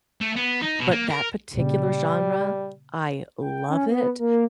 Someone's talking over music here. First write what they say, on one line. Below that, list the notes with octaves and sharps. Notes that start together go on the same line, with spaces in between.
b but that particular genre, I love it,
A3
B3
D#4
B2
A#3
A#4
A#2 C#3 G3
G5
C#4
B3
A#3